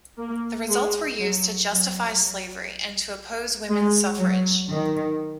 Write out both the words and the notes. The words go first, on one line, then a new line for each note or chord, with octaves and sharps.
The results were used to justify slavery, and to oppose women's suffrage.
A#3
G#3
F#3
F#3
G#3
F#3
D#3